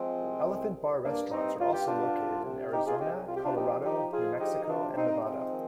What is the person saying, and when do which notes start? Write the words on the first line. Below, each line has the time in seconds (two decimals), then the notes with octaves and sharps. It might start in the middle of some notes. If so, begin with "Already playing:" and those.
Elephant Bar Restaurants are also located in Arizona, Colorado, New Mexico, and Nevada.
Already playing: F3 G#3 C4
0.19 C2
0.47 C2
0.76 C2
1.03 G2 A#3 D4
1.31 G2 C4 D#4
1.60 G2 F4
1.73 G4
1.87 D3 D4 F4
2.16 C2
2.44 C3
2.72 C3 D#4 G4
2.86 F4 G#4
3.00 C2 D#4 G4
3.28 C3 F4
3.36 G4
3.44 D4 F4
3.56 F3 D#4 G4
3.84 F3 D#4 G4
4.12 F3 F4 G#4
4.40 D2 D#4 G4
4.63 D#4
4.69 C3 D4 F4
4.96 C3 C4 D#4
5.24 F3 G#3 C4
5.52 D#3